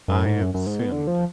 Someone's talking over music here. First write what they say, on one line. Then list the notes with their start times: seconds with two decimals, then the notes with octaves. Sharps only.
I have sinned.
0.08 F#2
0.26 G#2
0.41 F#2
0.54 F#2
0.67 G#2
0.80 B2
0.92 D3
1.07 F3